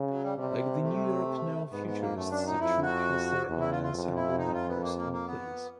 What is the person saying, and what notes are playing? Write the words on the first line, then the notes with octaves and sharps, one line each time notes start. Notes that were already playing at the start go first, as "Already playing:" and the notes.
Like the New York Neo-Futurists, the troupe has their own ensemble members and plays.
Already playing: C#3
F#3
G3
C3 G3
A3
G#2 B3
B3
A#3
F#2 A3
D4
D#4
F2 E4
F#4
E2
E4
F4
F4
F2
E4
D#4
F4
B3
A#3
A#3
A#3
B3